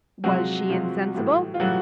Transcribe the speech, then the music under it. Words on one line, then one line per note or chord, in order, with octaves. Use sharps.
"Was she insensible?"
C3 F3 F#3 G#3 F#4
C3 F3 G#3
A2 E3 G3
F4
A2 E3 F#3 G3 F#4